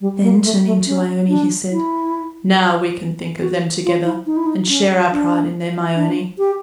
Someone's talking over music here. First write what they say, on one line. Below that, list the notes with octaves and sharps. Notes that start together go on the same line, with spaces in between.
Then, turning to Ione, he said: "Now we can think of them together, and share our pride in them, Ione."
G3
A#3
A3
A3
C#4
D4
E4
F#4
F4
E4
D#4
E4
D#4
C#4
D4
D4
G4